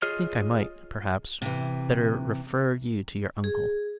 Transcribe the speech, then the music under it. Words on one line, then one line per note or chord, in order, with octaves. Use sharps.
"I think I might, perhaps, better refer you to your uncle."
F4 G#4 C#5 D#5 F6
C3 E3
G#4